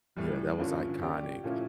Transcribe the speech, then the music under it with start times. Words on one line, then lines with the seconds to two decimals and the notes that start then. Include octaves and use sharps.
Yeah, that was iconic.
0.16 A2 E3 G3
0.58 G2 D3 F3 A#3 C#4
1.02 F3 C#4 G4 D5
1.44 A#2 F3 A3 C#4 E4